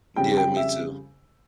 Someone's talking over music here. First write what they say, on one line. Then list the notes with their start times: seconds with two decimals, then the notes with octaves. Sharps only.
Yeah, me too.
0.16 F2 C#3 G3 G5
0.37 G5
0.57 E5